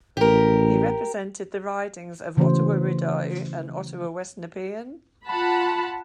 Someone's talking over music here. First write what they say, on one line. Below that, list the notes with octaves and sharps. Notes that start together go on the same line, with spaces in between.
He represented the ridings of Ottawa-Rideau and Ottawa West-Nepean.
A1 G4 A#4
C#3 E3 A3 C#4 F#4 C5
F4 F#5 A5 B5